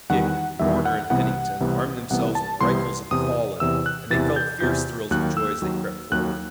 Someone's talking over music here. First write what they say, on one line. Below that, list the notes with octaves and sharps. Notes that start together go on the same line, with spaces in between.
Dick, Warner and Pennington armed themselves with rifles of the fallen, and they felt fierce thrills of joy as they crept forward.
E2 D#3 G3 F#5
E2 D#3 G3 E5
F#5
C2 C3 E3 B3 F#5
C2 C3 E3 B3
C2 C3 E3 B3 F#5
A5
C2 C3 E3 B3 C6
E2 C3 E3 D#6
E2 C3 E3 E6
F#6
E2 C3 E3 A6
G6
E2 C3 E3 G6
D#2 D#3 F#3 F#6
E6
D#2 D#3 F#3
D#2 D#3 F#3 F#6